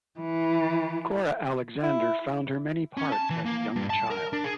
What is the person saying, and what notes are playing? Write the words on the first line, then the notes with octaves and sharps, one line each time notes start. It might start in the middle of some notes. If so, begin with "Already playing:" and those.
Cora Alexander found her many parts as a young child.
E3
E4
C#4
A5
E3
A#3
G2
A5
A#4
D4
G#4